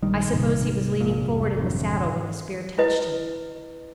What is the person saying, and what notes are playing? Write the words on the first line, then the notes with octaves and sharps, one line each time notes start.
I suppose he was leaning forward in the saddle when the spear touched him.
A#1 D#3 G3
G#2 C3 G3
A#1 A#2
F1 C2
G#1 F2 D3
E4 B4 D#5